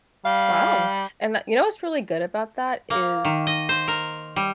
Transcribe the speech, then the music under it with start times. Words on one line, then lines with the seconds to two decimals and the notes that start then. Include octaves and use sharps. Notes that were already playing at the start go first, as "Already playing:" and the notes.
Wow. And that you know what's really good about that is
0.25 G3 F5
2.90 A#3
3.25 D#3
3.47 D#5
3.69 C5
3.88 A#4
4.36 G3